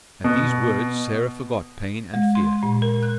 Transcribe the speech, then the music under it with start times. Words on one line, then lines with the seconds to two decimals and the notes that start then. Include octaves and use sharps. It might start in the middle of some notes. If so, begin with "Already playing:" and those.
At these words Sarah forgot pain and fear.
0.24 B2
2.14 G#3
2.35 C6
2.63 A#2
2.82 A#4
3.03 F#6